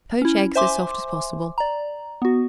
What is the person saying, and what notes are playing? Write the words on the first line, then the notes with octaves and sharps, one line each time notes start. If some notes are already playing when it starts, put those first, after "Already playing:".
Poach eggs as soft as possible.
C#4 E4
C5 E5 G#5 C6 D6
D5 A#5
B3 F#4